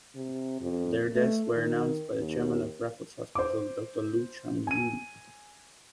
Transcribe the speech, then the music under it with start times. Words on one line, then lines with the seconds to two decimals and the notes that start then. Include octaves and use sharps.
Their deaths were announced by the chairman of Raffles Hospital, Doctor Loo Choon Yong.
0.15 C3
0.61 F2
1.13 A3
1.54 D#3
2.19 D#2
3.35 C5 D6
4.67 G#5 D#7